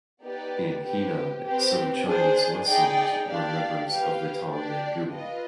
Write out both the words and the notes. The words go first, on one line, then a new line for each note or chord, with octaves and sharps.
In Henan, some Chinese Muslims were members of the Tongmenghui.
B3 D#4 G4 B4 D5
C4 G4 B4
C4 G4 B4
D4 G#4 C5
D#4 G#4 D5 G5
D4 G4 D5 F5
G4 B4 F5
D4 G4 D5
F4 B4 D#5